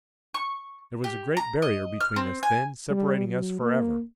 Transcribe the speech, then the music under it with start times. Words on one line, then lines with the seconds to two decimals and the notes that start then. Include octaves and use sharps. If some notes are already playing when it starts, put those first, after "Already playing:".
There was a great barrier between us then separating us forever.
0.34 C#6
1.04 G4
1.37 A#5
1.62 D#5
2.00 F6
2.16 C4
2.43 G#5
2.90 G3
3.28 F#3
3.61 A#3